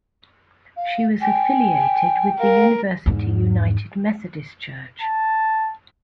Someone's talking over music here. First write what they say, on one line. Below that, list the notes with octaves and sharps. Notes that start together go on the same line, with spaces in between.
She was affiliated with the University United Methodist Church.
F5
G5 G#5
A#4 F5
E2 G#2
A5